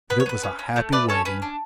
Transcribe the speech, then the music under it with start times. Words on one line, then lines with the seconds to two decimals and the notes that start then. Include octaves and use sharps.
But it was a happy waiting.
0.10 B3 B4
0.20 C#5
0.26 B3 B4
0.43 C#4
0.59 C#4
0.76 A3
0.92 A3 B4 D5
1.08 C#4 A4 C#5
1.25 C#4 B4
1.42 D4